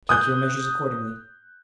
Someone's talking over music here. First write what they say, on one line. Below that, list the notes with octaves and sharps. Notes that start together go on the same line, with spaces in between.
Take your measures accordingly.
D#6 F#6 G6